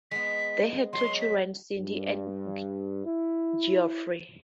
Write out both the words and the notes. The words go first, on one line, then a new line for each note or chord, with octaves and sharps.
They had two children, Cindie and Geoffrey.
G#3 B3 B6
F#3 G#3 C6
B6
G2
E4